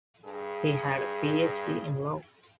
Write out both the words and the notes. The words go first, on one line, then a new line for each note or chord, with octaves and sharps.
He had a PhD in law.
G2 G#4